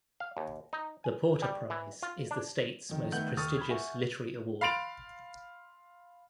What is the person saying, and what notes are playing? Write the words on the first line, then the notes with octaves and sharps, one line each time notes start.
The Porter Prize is the state's most prestigious literary award.
F5
D#2
D#4
G#5
G3
E3
F4
D4
F2 D#3
D#3 A3 B3 F#5 G6 F#7
D#2 A4 C#6 D#6 F6 A6
B5 G#6
E5 F#5 G#5 C#6
F5 B5 C6 A6 D7 F7